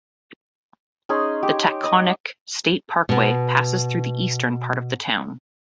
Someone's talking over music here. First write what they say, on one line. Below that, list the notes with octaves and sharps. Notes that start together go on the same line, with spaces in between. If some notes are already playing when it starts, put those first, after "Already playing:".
The Taconic State Parkway passes through the eastern part of the town.
C#4 D#4 G#4 C6
G4
D#5
B2 B3